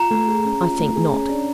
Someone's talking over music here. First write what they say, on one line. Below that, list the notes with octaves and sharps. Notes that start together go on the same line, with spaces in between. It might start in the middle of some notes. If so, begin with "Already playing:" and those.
I think not.
Already playing: F4 A#5
A3
G#4
C#4
F4
A3
G#4
C#4
D4